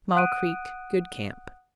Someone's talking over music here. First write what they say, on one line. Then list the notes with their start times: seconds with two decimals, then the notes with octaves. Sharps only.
Small Creek.--Good camp.
0.15 F#5 D#6 F#6 D7 D#7